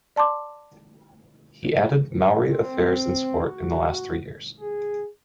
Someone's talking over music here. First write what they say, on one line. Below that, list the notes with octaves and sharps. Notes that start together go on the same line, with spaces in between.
He added Maori Affairs and Sport in the last three years.
D5 A5 C6 D6
C4
F#4
G#4